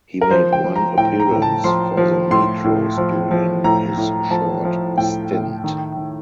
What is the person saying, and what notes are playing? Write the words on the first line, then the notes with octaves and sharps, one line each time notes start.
He made one appearance for the Metros during his short stint.
A#4
F3 C5
G5
F3
A#5
A2 G5
A#5
A2
A5
F3 C6
F3
A2 C6
A2
F3
F3
A2 A#5
A2
F3 A5
F3
A2 G5
A2
D#3
D#3